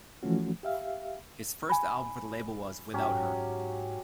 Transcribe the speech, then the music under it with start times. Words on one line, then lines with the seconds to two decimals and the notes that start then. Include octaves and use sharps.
His first album for the label was "Without Her".
0.23 E3 F3 A3 C#4 F#4
0.63 G4 E5 F5
1.70 G#5 B5
2.94 G#2 F#3 C#4 G4